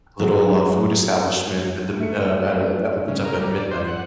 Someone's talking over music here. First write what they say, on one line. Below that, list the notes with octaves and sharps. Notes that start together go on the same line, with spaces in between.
little, uh, food establishment at the m uh uh, that that opens up at midnight,
F#3 G#3
A3 C#7
C#3
A#4
G3
D5
C5
F#5